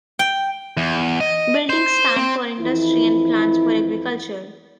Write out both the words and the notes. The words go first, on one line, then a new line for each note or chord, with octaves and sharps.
Buildings stand for industry and plants for agriculture.
G5
E2
D#5
C5
C4
F2 E3 E4